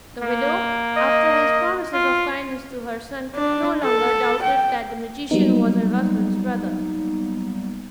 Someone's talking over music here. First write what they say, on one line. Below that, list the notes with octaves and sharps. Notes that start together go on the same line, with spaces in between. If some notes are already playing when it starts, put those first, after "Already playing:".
The widow, after his promises of kindness to her son, no longer doubted that the magician was her husband's brother.
A#3
D#5
F4
D4
A4
G5
F#3 G3 A#3 B3 D#4